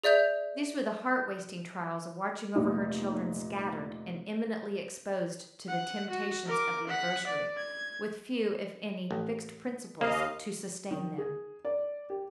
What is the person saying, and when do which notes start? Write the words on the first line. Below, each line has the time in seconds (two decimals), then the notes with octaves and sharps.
These were the heart-wasting trials of watching over her children, scattered, and imminently exposed to the temptations of the adversary, with few, if any, fixed principles to sustain them.
0.04 G#4 D5 E5 G6 F7
2.55 F1 A#2 D#4
5.69 F#5
6.10 F#4
6.46 A#4 D6
6.87 F#5 B6
7.27 D5
7.57 G#6
9.11 A1
10.01 D#2 A#3 D#5 F5
10.91 D#3
11.18 G#4
11.65 D5
12.10 G4